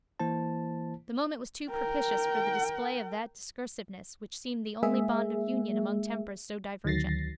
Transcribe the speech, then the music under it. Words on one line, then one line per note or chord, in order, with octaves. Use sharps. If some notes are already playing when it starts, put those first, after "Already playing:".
The moment was too propitious for the display of that discursiveness which seemed the only bond of union among tempers so divergent.
E3 A#3 E4 C5 A5
A#4 G5
G#3 A#3 G#4 E5
D2 D#3 F#3 A6 A#6 C7